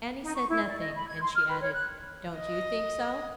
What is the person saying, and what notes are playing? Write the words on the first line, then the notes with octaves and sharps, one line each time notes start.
Annie said nothing, and she added, "Don't you think so?"
D#4
C#6
E4
D5
D#5
B5
G#6
C6
F6
B4
C#5
F#6
D#5